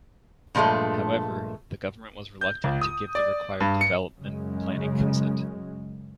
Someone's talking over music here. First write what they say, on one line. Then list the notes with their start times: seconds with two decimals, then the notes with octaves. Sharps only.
However, the government was reluctant to give the required development planning consent.
0.55 G2 A#2 F3 G#3 A3
2.41 G6
2.64 C#2
2.81 D#6
3.15 D5
3.60 G2
3.81 C#7
4.18 F#2 C#3 G#3